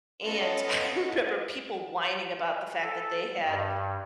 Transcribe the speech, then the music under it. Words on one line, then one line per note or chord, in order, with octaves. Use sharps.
And I remember people whining about the fact that they had,
B3 C#4 F4 A4 D#5
A4
G2